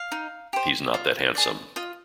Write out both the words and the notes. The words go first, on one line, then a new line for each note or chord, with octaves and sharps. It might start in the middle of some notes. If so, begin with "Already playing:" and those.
He's not that handsome.
Already playing: F5
D#4
G4 C5
F4
G#4 D5
F4 D#5